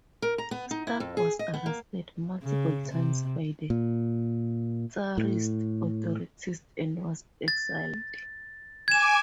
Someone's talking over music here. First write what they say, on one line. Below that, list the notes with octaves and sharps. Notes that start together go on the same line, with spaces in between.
Stark was arrested multiple times by the Tsarist authorities and was exiled.
A#4
A#5
B3
D#4
E4
F2
G#4
D#5
B3
A#3
C#3
C3
A#2
A2
A6
G#5 D6 G#6 E7